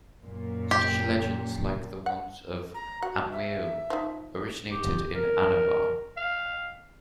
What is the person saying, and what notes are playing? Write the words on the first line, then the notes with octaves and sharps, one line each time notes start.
Such legends like the ones of 'Amwieob' originated in Anabar.
F#2 A#2
G4
F#5
A#5
F#4 F#5
E5
F3 D#4
G4
A#4
F5